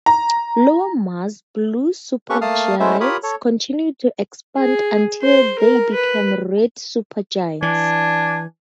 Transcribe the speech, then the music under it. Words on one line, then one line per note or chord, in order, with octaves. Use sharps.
Lower mass blue supergiants continue to expand until they become red supergiants.
A#5
A#3 C#4 G4 A4 B4 C#6
A3 A#3 F5 A5 D#6 F6
G#3 A3 C#4 E4 C5 E5
F4 G4 A#4 C#5 B5 D#6
A4 C#5
G#4
C5
A#4
B4
E3 D4 G#5